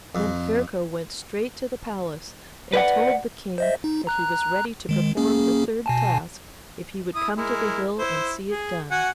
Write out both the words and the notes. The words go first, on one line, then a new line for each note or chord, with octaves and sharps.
Then Ferko went straight to the palace and told the King that he was ready to perform the third task if he would come to the hill and see it done.
F2
B4 D5 F#5
C5 D#5 E5
D#4
A#5 F#6
D#3 G#3
A#3 C#4 G#4
B2 G#5 A5
E4 D#6
G#3 E4 A#4
E4 C5
G#4
F#4 F#5 G#5